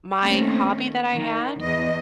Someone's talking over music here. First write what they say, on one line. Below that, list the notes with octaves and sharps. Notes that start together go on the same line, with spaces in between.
my hobby that I had,
D#3 A3 A#3 C4 C#4
D#3
E2 D#5